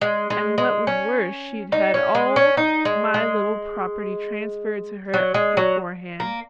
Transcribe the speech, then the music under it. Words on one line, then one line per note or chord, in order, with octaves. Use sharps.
And what was worse, she'd had all my little property transferred to her beforehand.
G#3
G#3
G#3
C#4
D#4
C#4
G#3
C#4
D#4
G#3
G#3
F#3
G#3
F#3
A#3